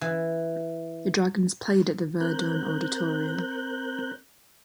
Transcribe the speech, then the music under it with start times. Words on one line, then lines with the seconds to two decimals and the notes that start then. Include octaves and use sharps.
The Dragons played at the Verdun Auditorium.
0.01 E3
2.21 C4 A#4 F#6 G6